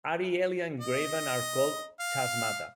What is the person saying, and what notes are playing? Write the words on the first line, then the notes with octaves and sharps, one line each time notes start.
Arielian graben are called "chasmata".
D#5
F5